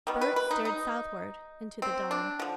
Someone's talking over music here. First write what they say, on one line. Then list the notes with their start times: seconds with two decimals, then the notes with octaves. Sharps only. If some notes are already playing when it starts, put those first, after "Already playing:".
Bert stared southward into the dawn.
0.07 D#3 G3 B3
0.21 B4
0.36 B4
0.51 D#4
0.65 D#4
1.82 C4
2.11 D4
2.39 D3 F3